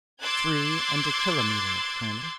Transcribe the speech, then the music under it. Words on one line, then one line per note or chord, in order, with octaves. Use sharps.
"Three and a kilometre, colonel."
C6 D6 E6 F#6 G#6 A6